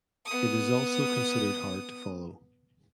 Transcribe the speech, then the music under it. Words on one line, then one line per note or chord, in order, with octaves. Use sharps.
It is also considered hard to follow.
B3 D#6